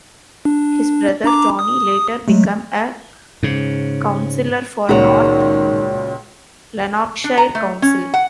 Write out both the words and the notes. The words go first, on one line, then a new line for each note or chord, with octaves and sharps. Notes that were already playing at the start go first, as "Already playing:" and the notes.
His brother, Tony, later become a councilor for North Lanarkshire Council.
D4
D4 A#5 D6
D#6
F#3 G#3 A3
G#2 C#3
C#2 A#2 D#3 F#4 A#4 C#5
D4
A#5
A3
C#4
F#5